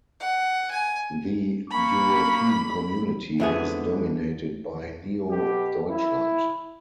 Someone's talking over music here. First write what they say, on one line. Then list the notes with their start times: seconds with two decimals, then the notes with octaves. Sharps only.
The European Community is dominated by Neo-Deutschland.
0.20 F#5
0.71 G#5
1.70 A#3 B5 C#6
3.40 F2 D3 E3 B3 G#4 E5
5.30 B2 G4
5.90 E4